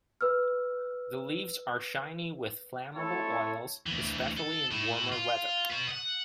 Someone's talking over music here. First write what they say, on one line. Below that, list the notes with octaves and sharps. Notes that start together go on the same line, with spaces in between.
The leaves are shiny with flammable oils, especially in warmer weather.
B4 E6 F6
A3 C4 E4 A4 C#5
D2 E3
A4
A2 E4
F4
B3 F#4
D#5 F#5